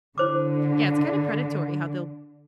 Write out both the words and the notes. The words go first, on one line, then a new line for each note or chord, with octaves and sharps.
Yeah, it's kinda predatory how they'll
D3 E4 C5 D6